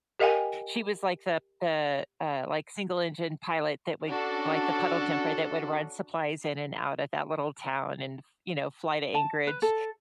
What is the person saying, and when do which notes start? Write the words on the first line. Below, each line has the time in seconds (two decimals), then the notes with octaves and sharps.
she was like the the, uh, like, single-engine pilot that would, like, the puddle-jumper that would run supplies in and out of that little town and, you know, fly to Anchorage.
0.20 G4 A#4 D#5 F5 G5 G#5
4.07 C#4 D4 F#4 A4
9.14 A5
9.47 B4
9.62 A4